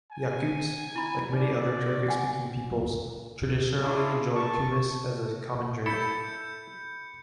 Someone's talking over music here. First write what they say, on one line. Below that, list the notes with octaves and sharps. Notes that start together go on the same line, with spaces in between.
Yakuts, like many other Turkic-speaking peoples, traditionally enjoy kumis as a common drink.
G#5
E4 B5
D#4 D5
F#5 G#5
D4 E4 F4
A5 C#6
E4 A4 B5 G6 C#7